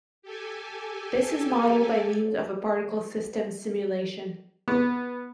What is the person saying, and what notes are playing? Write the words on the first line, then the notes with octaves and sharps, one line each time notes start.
This is modelled by means of a particle system simulation.
G4 A4 G#5
B3